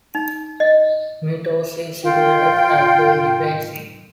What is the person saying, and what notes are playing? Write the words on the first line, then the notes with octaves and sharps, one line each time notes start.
Myrtos is situated at the Libyan Sea.
D#4
D#5
F4 G5